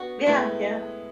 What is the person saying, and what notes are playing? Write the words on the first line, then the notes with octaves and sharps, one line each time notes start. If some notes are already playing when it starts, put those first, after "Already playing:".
Yeah, yeah.
Already playing: B3 D4 F#4
A2 G#3 A3 B3 E4 B4